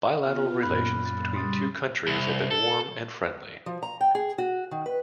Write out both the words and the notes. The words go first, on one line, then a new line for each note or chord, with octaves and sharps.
Bilateral relations between two countries have been warm and friendly.
B3 F4 F6
F#2 A#2 B5 F#6
A6
C#3 G3 C6 D#6 A6
C2
A4
F3
A#5
G5
G#4
F#4
D#3
B4